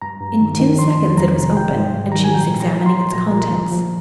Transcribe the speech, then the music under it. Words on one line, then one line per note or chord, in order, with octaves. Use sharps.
In two seconds it was open and she was examining its contents.
G2 A#5
G2
D#3
D#3
F3 C6
F2
F2 A#5
C3
G#2 G5
G#2
D#3
D#3 A#5
G#5
A#2 G5
A#2
A#5
F3
C6
F3
A#2 A#5
A#2
F3
F3